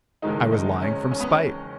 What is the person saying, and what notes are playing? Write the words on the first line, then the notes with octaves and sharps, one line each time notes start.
I was lying from spite.
F#1 E2 D#3 G#3 D#4
D#4
C#4
C#4
B3
C#4